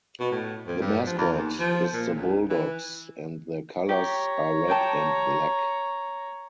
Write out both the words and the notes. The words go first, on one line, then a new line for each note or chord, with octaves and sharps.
The mascot is the Bulldogs and their colors are red and black.
B2
A2
F2
G2
F3
E2
D#2
F3
A#2
C#2
E3
G4 C#5 A#5
G4 G5 A5